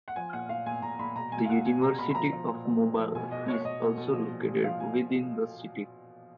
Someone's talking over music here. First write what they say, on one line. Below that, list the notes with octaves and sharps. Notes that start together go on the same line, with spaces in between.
The University of Mobile is also located within the city.
F#5
F3 G#5
A#2 F#5
A#2 F5
A#2 G#5
A#2 A#5
A#2 B5
B2 A#5
B2 G#5
F5
B2 F#5
B2 G#5
B2 A#5
B2 B5
B5
F3 A#5
F3
A#2
F3
A#2
F3
B2 G#5
B2 D#5
B2 C#5
B2 D#5
B2
B2
F3
A#2
A#2
F3 F5
A#2 G#5